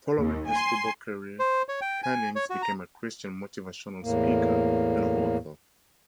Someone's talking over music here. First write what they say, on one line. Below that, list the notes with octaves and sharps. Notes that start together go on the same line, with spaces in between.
Following his football career, Hennings became a Christian motivational speaker and author.
D#2
G#5 C6
C5
C#5
G5
G#5
C#5
F#4
A#5
E2 A2 A#3